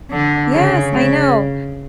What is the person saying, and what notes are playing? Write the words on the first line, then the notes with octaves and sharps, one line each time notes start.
Yes, I know,
D3
C#3
C#3